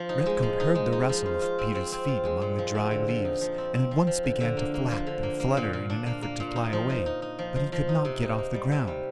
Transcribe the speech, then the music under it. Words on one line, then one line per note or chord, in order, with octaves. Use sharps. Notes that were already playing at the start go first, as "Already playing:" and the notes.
Redcoat heard the rustle of Peter's feet among the dry leaves and at once began to flap and flutter in an effort to fly away, but he could not get off the ground.
Already playing: F3
D#4
G#3
F3
D#4
G#3
D#4
F3
F4
F4
C4
C4
C4
F4
G#3
A#2
F3
C4
D3
F3
D#4
F3
C4
C4
F3
F3
D3
D3
A#3
A#3
F3
D3
A#3
A#3
A#2
A#2
D4
A#3
A#3
A#2
D#4
F3
D#4
D#4
D#4
F3
F3
F3
D#4
C3
D#4
A#3
G3
C3
G3